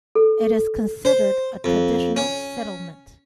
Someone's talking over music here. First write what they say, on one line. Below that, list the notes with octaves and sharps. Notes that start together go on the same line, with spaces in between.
It is considered a traditional settlement.
A4
C5
F2
C#4